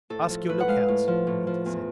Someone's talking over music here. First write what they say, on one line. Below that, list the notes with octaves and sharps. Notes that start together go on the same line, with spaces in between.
"Ask your lookouts," Anita said.
A2 A4
F3
A2 B4
F#5
G#3 F5
A2
F3
A2
F3
E2